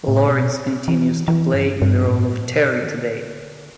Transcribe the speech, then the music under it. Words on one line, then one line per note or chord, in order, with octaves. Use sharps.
Lawrence continues to play in the role of Terry today.
A2
B2
E3
E3
G2
G2
A2
B2
E3
D3